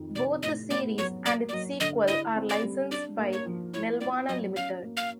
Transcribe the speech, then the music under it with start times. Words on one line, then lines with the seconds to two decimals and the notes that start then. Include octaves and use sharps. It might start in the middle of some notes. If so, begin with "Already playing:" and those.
Both the series and its sequel are licensed by Nelvana Limited.
Already playing: F2 D#3
0.15 C3 D5
0.43 A2 D#5
0.70 B3 D5
0.98 F#3 C#5
1.25 A#3 D5
1.49 D5
1.53 F#3 D#5
1.80 D3 D#5
2.08 E4 D#5
2.35 C4
2.49 D5
2.63 G3
2.91 D4 D5
3.18 A#3
3.33 C#5
3.46 F3
3.74 E4 C#5
4.01 B3 D5
4.28 F#3 D#5
4.56 C#4 F5
4.83 A#3
4.97 F5